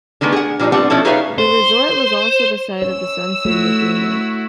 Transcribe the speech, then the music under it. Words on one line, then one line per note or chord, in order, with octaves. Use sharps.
The resort was also the site of the Sun City Agreement.
D3 D#3 G#3 A3 B3
G#4 F#5
A#2 F3 G3 D4 D#4
G3 A3 B3 C4 D4 F#5
B2 F3 C#4 E4 A4
D#4 G#4 B4 C#5 E5 F5
C5
C#5 E6
A3 E4 F#4